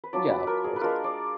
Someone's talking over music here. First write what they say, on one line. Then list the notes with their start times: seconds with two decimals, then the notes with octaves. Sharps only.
Yeah, of course.
0.04 B4
0.13 F#3 D4 F4 D5
0.30 B4
0.47 A#4
0.64 G#4
0.76 B4
0.81 G#3 D4 F4 A#4
1.04 D5